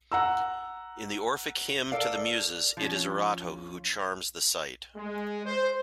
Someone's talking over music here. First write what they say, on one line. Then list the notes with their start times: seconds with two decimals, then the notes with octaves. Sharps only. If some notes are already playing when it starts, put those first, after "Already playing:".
In the Orphic hymn to the Muses, it is Erato who charms the sight.
0.12 F#5 A#5 E6
1.92 A4 A#4 D5 F5
2.77 F3 C#4
4.96 G#3
5.46 C5